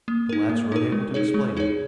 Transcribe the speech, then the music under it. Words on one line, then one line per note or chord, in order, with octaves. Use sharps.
The lads were unable to explain it.
A#3
D#4 A#4
A#3
D#4 A#4
G#3
D#4 G#4 C#5
G#3
D#4 G#4 C#5